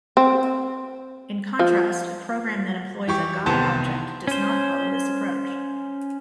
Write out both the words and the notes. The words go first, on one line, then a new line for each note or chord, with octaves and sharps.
In contrast, a program that employs a God object does not follow this approach.
C4
F3
E3 G4 C#6
C2 D#3 E3 B3 C5 A5
C#4 C5